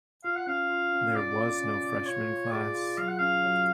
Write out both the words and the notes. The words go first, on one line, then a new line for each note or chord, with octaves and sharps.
There was no freshman class.
F4 F5
F#5
C#4 F5
F4
C#4
B2 D5
F4
C#4
B2
F4 C#5
F4
G#4 D5
F4
F#3 F5
F#5
C#4 F5
F#3